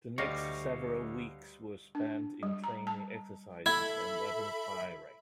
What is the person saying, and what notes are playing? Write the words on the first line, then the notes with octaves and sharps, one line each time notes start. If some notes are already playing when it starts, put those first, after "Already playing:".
The next several weeks were spent in training exercises and weapons firing.
D2 G3 C#5 D#5 F5 A#6
D4
G3
A#5
A5
E4 A4 E5 B5 G#6